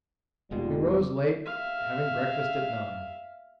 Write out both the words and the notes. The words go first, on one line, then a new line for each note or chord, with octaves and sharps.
We rose late, having breakfast at nine.
F1 D#2 B2 G3 G#3 F4
E5 F5